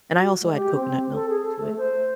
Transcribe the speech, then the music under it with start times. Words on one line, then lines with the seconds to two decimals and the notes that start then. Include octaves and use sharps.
and I also add coconut milk to it.
0.15 F#4
0.41 G#3
0.55 G4
0.75 C4
1.13 A4
1.29 G#4
1.45 A4
1.61 A3
1.77 C5